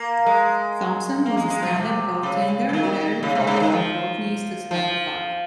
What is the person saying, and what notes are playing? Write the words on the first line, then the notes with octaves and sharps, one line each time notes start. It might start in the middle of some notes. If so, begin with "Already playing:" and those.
Thompson was a stand-up goaltender, rarely falling on both knees to stop a puck.
Already playing: A#3
G#3
A#3
G#3
G#3
F3
C3
C#3
C#3
D#3
C#3
C3
C#3
D#3
F3
F3